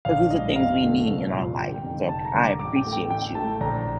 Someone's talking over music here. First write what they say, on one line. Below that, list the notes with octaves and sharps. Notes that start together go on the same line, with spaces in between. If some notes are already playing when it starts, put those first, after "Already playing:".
'cause these are things we need in our life, so I appreciate you.
A#1 F5
A2 G3 D#5
F2 F5
D3 A3
C2
A#2 F3
G1 G5
F2 D#3 G3
F1 A5
A#5
D#2 D3 G3
D6
A1 D6
G5
A2 A3
G5
A1 G5
A2 A3 A5
A#1 A#5